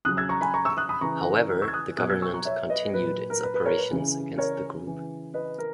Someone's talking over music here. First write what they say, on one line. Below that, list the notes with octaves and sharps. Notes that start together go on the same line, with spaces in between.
However, the Government continued its operations against the group.
C#3 F#3 D#6 F#6
E6 G#6
A#5 C#6
G#5 B5
A#5 C#6
C#6 E6
D#6 F#6
B5 D#6
C#3 E3 A#5 C#6
C#6 E6
G#6
D#6 F#6
B2 F#3 D#6 F#6
E6 G#6
C#6 E6
A#5 C#6
C#5 E5
B4 D#5
A#2 F#3 B4
A#4
B4
B4
A#4 C#5
B4
C#3 E3
A#4 C#5
C#3 E3
B4 D#5
A#4